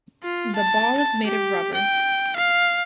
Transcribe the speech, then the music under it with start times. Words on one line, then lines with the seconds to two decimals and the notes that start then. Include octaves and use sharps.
The ball is made of rubber.
0.23 F4
0.55 A5
0.97 A5
1.26 G4
1.74 G5
2.36 F5